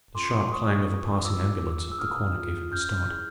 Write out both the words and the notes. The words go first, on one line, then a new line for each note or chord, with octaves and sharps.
The sharp clang of a passing ambulance at the corner gave him a start.
C#4 F4 A4 C6 D6
A3 C#6 D#6
C#4 F4 A4
D4 D6 E6
F4 G#4
E6
D4 D#6 F6
F4 G#4
C#4 F6 G6
E4 G#4